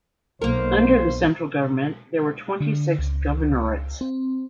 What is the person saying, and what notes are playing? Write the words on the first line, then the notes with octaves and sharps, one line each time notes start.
Under the central government, there were twenty-six governorates.
B1 A#3 A#4 C5
D3
C#2
C4